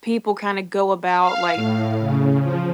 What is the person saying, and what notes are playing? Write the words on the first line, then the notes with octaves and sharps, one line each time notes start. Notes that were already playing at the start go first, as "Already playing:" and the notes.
people kinda go about, like,
F5
A2
C#3
F3